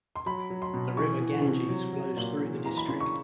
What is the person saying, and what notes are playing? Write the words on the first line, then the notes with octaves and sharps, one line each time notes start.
The river Ganges flows through the district.
C6
F#3 B5
F#3
C6
B2
E3 C#6
E3
C3
F#3
F#3
A#2
E3
E3 A#5
B5
C#3 C6
C#6